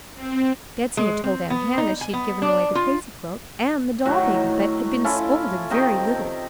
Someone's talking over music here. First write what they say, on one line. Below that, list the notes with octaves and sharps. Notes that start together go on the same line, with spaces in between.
Betsey had told Aunt Hannah she had given away the crazy quilt and the doll-baby, but had been scolded very little.
C4
G#3
C4
B3
D#4
G#5
B3
D4
F4
A2 D#3 F#3 F#4
C#4 E4 F4 A4
C3 D#3 D#5 G5